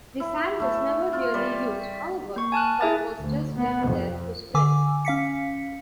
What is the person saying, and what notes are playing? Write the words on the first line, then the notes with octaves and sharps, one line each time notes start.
The sand was never really used, however, but was just left there to spread.
E4
A3 E4
F4
G3
A#3 C#6
G#5 A5 F6 F#6
E4 G#4 E5 G#5 A6
D2
B3
F2
D3 G#5 D6 E6
C#4 F5 B6 C#7